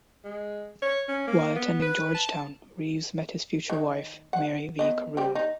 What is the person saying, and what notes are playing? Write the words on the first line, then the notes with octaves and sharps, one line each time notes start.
While attending Georgetown, Reeves met his future wife, Mary V. Corroon.
G#3
C#5
C#4
A#3
B3
B4
A5
D#3
F#5
B3 D#5
G3 C4 G4
D#4